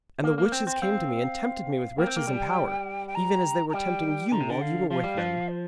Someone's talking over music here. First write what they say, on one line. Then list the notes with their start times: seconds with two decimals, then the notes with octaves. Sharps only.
And the witches came to me and tempted me with riches and power, even as they were tempting you while you were with them.
0.23 A#3
0.38 A#3
0.52 C4
0.67 C4
0.75 G5
0.82 C4 F5
1.98 A#3 G5
2.07 C4
2.16 A#3
2.27 G3
3.07 G5
3.15 A#5
3.69 A#5
3.73 G3 G5
4.32 D3 A#5
4.40 C3
4.50 D3 G5
4.61 F5
4.90 F3 F5
5.04 G3
5.18 F3
5.48 C5